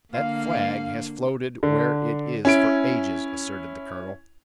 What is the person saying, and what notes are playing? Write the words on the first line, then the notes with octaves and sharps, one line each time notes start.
"That flag has floated where it is for ages," asserted the colonel.
D3 A#3 F5
D3
C#4 E4 D7